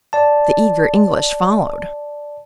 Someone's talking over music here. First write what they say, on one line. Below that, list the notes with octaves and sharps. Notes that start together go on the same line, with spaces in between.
The eager English followed.
D5 A5